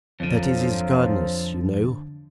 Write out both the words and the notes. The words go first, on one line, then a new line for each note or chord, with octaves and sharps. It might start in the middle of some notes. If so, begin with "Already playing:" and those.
That is his Godness, you know.
F2 D3 F3 F#3